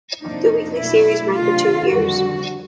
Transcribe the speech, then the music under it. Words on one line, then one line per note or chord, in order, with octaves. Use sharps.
The weekly series ran for two years.
F2 C3 F3 A#3 D4 D#4
B2 F#3 A3 D4 E4
E4
C3 D#3 F#3 A3 D4 F4
F2 D3 G3 F#4